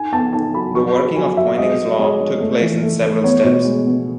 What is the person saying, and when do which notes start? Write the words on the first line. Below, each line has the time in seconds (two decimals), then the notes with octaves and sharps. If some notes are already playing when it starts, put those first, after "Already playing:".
The working of Poynings' Law took place in several steps.
Already playing: D#4 G#5
0.12 B3 A5
0.33 D#4 A5
0.54 F#3 B5
0.75 F#3 C#6
0.95 F#3 B5
1.16 F#3 G#5
1.37 F#3 E5
1.58 G#3 D#5
1.78 G#3
1.99 G#3 C#5
2.20 G#3
2.41 A3
2.61 E3
2.83 A3
3.03 A3
3.24 B3 C#5
3.44 B2
3.65 G#3
3.86 B3